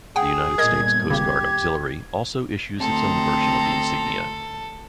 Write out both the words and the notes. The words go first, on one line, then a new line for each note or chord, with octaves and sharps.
The United States Coast Guard Auxiliary also issues its own version of the insignia.
G#4 F#5 G5
G1 A#2 A#4 D#5 D#6 G#6
G#1 C#3 G4
D2 C4 A4 A#5 C6